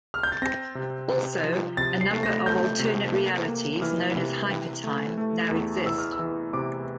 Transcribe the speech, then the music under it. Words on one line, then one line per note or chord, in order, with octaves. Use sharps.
Also, a number of alternate realities- known as Hypertime- now exist.
F6
G6
A6
C4 A#6
C3
C3
F3
C3 A6
C7
A3
A#6
A3 G6
C3
A#3
A#3
E3 F6
C3
E3
A3
A3
E2
E3 E6
F6
E6
E3
C3 D6